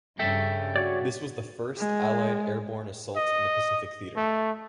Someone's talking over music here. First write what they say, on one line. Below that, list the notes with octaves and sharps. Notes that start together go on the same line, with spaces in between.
This was the first Allied airborne assault in the Pacific Theater.
G2 C#3 A4 E5 G5
F#4 C#5 D5
G#3
D#5
A3